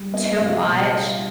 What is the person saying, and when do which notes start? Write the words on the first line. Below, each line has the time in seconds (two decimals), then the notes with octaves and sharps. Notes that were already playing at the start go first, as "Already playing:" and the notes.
too much
Already playing: G3
0.13 B3 D#5
0.25 D#5
0.32 E5
0.41 C#2 F5
0.50 E5
0.67 B2
0.94 G3